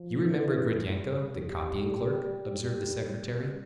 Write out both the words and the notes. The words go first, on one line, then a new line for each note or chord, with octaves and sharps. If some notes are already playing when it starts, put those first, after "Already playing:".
"You remember Gridyenko, the copying-clerk," observed the secretary.
Already playing: F3
E3
G3
G3
G3